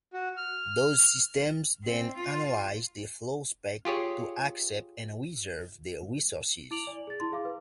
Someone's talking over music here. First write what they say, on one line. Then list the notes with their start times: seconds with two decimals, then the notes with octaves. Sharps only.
Those systems then analyse the "flowspec" to accept and reserve the resources.
0.13 F#4
0.37 F6
1.84 C4
2.16 F4
3.85 F4 G4 G#4 C#5
6.71 E4 D6 D7 F7 F#7
6.87 D5 G#5
7.07 G#4 A6
7.20 E4 C6
7.32 G#4 F5 D6
7.45 B4